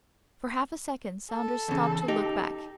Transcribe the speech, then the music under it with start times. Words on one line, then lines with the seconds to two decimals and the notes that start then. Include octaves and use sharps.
For half a second Saunders stopped to look back.
1.32 A4
1.68 E2 C#3
2.08 D#4 G4